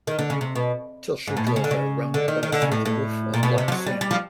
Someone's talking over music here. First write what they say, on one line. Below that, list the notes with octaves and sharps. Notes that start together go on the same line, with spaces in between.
Till she drove a round ball through the roof of Black Sam.
D#3
D3
C#3
C3
B2
G#2
A2
B2
C#3
D3
C#3
D3
D#3
D#3
D3
C#3
A2
A2
A#2
B2
C3
F3
F#3
G3
G3
F3